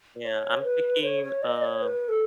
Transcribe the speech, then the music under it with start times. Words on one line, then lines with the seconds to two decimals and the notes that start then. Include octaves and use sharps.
Yeah, I'm thinking uh
0.24 C#5
0.63 B4
1.03 C#5
1.23 C#5
1.42 D#5
1.62 C#5
1.82 B4
2.09 A4